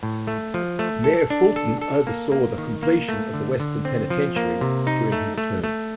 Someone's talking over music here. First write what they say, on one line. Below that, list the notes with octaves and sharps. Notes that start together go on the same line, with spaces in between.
Mayor Fulton oversaw the completion of the Western Penitentiary during his term.
A2
A3
F3
A3
A4
D4
A4
A4
A#3
A#3
D#3
A#3
A3
D3
D3
C4
F3
A#3
C3
D#4
A3
A3
A3